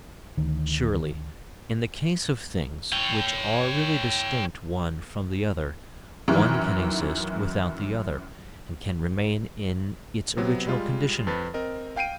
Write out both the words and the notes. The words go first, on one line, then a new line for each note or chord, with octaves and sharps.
Surely in the case of things, which are really distinct one from the other, one can exist without the other, and can remain in its original condition.
D2 D#3
C#5 G5
F#2 D#3 E3
C3 F#3 B3
G3 G#3 F4
F2 B4 A6
C4 A#4 D#5
F5 G5 C7 D7 D#7